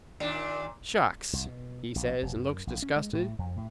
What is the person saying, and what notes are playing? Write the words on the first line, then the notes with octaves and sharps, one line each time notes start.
"Shucks!" he says, and looked disgusted.
D#2 A#2 D4
C2
B2
A#1
F1
F#2
A#1
C#4
G#3
A2
F2
A2